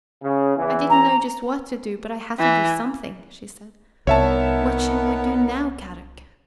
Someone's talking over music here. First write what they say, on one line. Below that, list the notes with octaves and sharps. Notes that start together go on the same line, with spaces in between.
"I didn't know just what to do, but I had to do something," she said. "What shall we do now, Kadok?"
C#3
E2 E3
A#5
E3
C2 B3 D#4 A#4 C#5 E5 A5